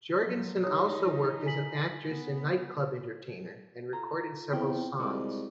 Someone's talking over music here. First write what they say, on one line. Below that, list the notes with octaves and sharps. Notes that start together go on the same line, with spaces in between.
Jorgensen also worked as an actress and nightclub entertainer and recorded several songs.
F3 F#3
E3 D#4 G4 C#5 D#6
G#5 B6 F#7
B3
F4 A4 A#5
E2 C4 G5
C2 G#3 F#4 D6